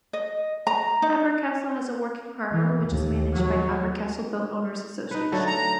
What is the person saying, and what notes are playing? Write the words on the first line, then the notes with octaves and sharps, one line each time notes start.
Abercastle has a working harbour which is managed by Abercastle Boat Owners Association.
D#5
A#5
D#4
E3
D#2
F#3
D#4 B4
D3 F#3 A3
A#5